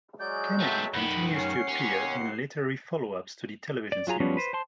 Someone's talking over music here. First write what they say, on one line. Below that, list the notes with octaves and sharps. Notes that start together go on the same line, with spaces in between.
Kennedy continues to appear in literary follow-ups to the television series.
F#3 G#3 D5 G6
A3 B3 E5 G5 A5
F#2 D#3 F#5 B5
C#4 C7
D#2 C#4
D5
F#3 F4 G#4 A#5
F3 G3 B3 C#4
B4 C5
C5 A5 C6